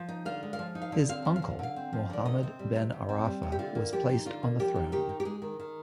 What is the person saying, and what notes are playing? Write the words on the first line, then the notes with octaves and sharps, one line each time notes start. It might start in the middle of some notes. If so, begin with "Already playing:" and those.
His uncle, Mohammed Ben Aarafa, was placed on the throne.
Already playing: F3
D#4
D3 F5
G#3
F5
F3
D#4
F5
D3
C4 F5
F3
F5
D3
D3 F5
C4
F3
D3 D5
C3 D#5
C4
G3
C3
C3
C4
G3
C3
G4
D3 F4
A#3
F3 G4
D#4
D3 F4
A#3
F3 G4
D#4
D#3 G4
D#4
G4
G#3 G#4
D#3
D#3